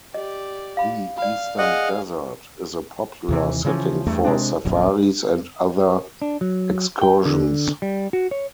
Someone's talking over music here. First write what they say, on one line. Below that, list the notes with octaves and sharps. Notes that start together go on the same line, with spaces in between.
The Eastern Desert is a popular setting for safaris and other excursions.
G4 D5 D#5
F5 B5
D5 F5 B5
G#4 D5 D#5 F5 F#5
D#2 C3 E3
C#3 E3 F3 C#4
E2 G2 A3
C3 G#3 C4 D4
D#1 A#1 F#2
D4
F#3
G5
D3
G3
F#4
C#5